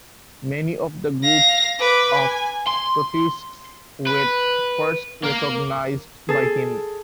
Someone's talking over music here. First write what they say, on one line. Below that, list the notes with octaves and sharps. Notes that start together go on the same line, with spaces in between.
Many of the groups of protists were first recognized by him.
F5 A#6
B4 D6
G#5
C6
B4
A#3
G#4 A4